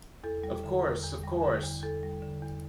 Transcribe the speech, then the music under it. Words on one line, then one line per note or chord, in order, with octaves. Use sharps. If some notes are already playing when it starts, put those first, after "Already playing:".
Of course, of course!
E2 A4
G3
D3
E2
E2
G3
D3
E2
E2 A4
G3
D3
E2